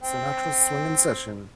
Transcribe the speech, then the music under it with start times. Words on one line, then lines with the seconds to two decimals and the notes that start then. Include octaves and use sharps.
Sinatra's Swingin' Session!!!
0.01 C4 G5